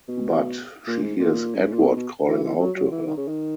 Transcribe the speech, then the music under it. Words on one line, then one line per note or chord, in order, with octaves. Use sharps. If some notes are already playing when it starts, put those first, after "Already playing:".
But, she hears Edward calling out to her.
B2
A#2
G#2
A#2
F#2
G#2
A#2
B2
B2
E3
E3
F#3
F#3
E3
D#3
C#3
D#3